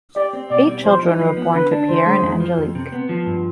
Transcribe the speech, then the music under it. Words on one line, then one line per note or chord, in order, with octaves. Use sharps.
Eight children were born to Pierre and Angelique.
G4 D5
C4
B2 D5
G3
F3 C5
D#4
F3 B4
B3
D3 B4
D4
D3 C5
G#3
F2
F3
F2
C3
B3
F3
G2